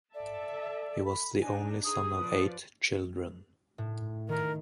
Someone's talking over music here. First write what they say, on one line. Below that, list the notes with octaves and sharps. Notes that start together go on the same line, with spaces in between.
He was the only son of eight children.
A4 D5 E5 A5
B5
D4 D#4 G#5
D#4 G#4 D#6
F3 B4 D5
A2
D#3 A#4